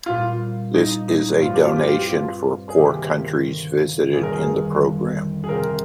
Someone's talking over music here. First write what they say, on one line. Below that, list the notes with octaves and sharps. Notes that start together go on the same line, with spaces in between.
This is a donation for poor countries visited in the program.
A#2 G3 C4 F4
D#4
D#4
G2 F3 C4 F4
G4
F4
G4
F4
G4
F4
G#4
D2 C3 D#3 A#3 G4
G1 F2 D#3 G3 A#3 G#4
A#4
G#4
G#4
C3 F3 C4 F4 A#4